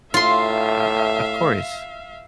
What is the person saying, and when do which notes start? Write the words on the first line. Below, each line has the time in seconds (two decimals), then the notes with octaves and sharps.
Um Of course.
0.14 A2 F4 E5 F5 C6